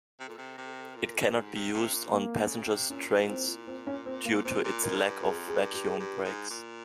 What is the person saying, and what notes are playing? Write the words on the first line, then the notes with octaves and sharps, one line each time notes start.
It cannot be used on passenger trains due to its lack of vacuum brakes.
C3
A#2
C3
C3
A#2
F2
G2
G#2
C3
C3
A#2
A#3
C#3
C3
A#2 C#4
C4
C4
C#4
C4
A#3
A#2 C4
A#2
F2 A#4
G2
F2 G#4
G#4
G2
G4
G#4
G2 G4
G#2
A#2